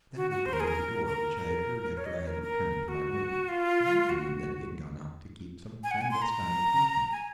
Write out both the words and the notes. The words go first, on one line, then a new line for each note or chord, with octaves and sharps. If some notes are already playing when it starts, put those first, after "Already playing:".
That opening of the door which I had heard after I had returned to my room might mean that he had gone out to keep some clandestine appointment.
F#4
F#4
C5
A#4
G#4
A#4
A#4
A#4
C#5
D#5
C#5
A#4
A#4
F#4
F4
F#4
G#5
F#5
G#5
C6
A#5
G#5